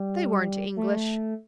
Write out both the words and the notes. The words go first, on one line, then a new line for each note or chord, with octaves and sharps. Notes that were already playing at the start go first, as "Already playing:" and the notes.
"They weren't English."
Already playing: G3
A3